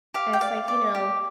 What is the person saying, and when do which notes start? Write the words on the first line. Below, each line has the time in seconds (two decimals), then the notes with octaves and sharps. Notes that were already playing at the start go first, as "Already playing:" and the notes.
and it's, like you know,
0.14 G4 F5
0.33 G5
0.41 D5 F5
0.68 D5
0.95 G4